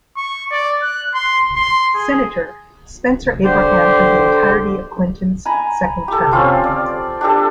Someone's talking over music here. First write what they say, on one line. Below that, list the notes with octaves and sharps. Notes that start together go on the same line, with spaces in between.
Senator, Spencer Abraham for the entirety of Clinton's second term.
C#6
D5
F#6
C6
C6
G#4
D3 G4 C5
G#5 A#5 B5
G4 A4
C4 C#4 F4 G4
D5
D4 G4 A4